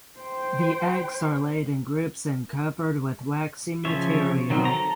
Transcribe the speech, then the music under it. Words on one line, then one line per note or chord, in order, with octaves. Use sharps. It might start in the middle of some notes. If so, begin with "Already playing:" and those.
The eggs are laid in groups and covered with waxy material.
C5 G5
C#3 F3 C#5 E5
D#3 F#3 C4
A4 A#5